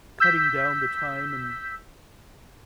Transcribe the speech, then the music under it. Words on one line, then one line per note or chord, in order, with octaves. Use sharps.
cutting down the time and
E6 G6 B6